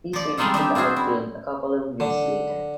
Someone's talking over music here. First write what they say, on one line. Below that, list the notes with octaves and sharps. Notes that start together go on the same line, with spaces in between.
He switched to the outfield a couple of years later.
F3 D5
G3 G#3 C4 D#4 F4 A4
D4 D#4 G4 E5
C4 F4 F#4 G#4 C5
E4
D3